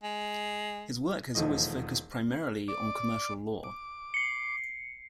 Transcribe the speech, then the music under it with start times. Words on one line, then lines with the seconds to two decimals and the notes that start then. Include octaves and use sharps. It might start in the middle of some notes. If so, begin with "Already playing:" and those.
His work has always focused primarily on commercial law.
0.03 G#3
1.35 E1 D#2 F3 A3 D#5
2.68 D5 D6
3.64 D6
4.14 C7 C#7